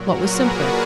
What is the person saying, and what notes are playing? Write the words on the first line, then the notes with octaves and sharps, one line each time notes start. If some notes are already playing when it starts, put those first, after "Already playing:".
What was simpler?
Already playing: A#2 F#3 F#4 A#4
G#4 B4
A#4 D5